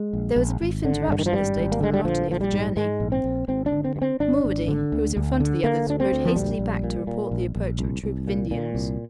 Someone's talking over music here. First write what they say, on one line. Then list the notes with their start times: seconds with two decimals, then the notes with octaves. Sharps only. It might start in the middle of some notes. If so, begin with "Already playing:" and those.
There was a brief interruption this day to the monotony of the journey. Mulrady, who was in front of the others, rode hastily back to report the approach of a troop of Indians.
Already playing: G#3
0.13 A#1
0.36 A#1
0.61 G#1
0.85 D3
1.08 G2 D3
1.19 D#3
1.26 F3
1.33 G#1 G3
1.56 G#1
1.72 A#3
1.80 D3 G#3
1.94 G3
2.05 A#1 F3
2.28 A#1 F3
2.41 G3
2.53 G#2
2.76 G#2 G#3
3.00 A#1
3.12 C4
3.24 A#1
3.48 G#1 C4
3.66 D4
3.72 D3
3.84 C4
3.96 G2
4.02 C4
4.20 G#1 D4
4.45 G#1
4.68 D3
4.92 D2
5.17 D2
5.40 D3
5.64 D3 A#3
5.88 D2 D4
6.00 C4
6.12 D2
6.25 F3
6.35 A#1 G3
6.59 A#1
6.84 A#2
7.07 A#2
7.31 A#1
7.56 A#1
7.79 C2
8.03 C2
8.27 A#2
8.51 A#2
8.75 C2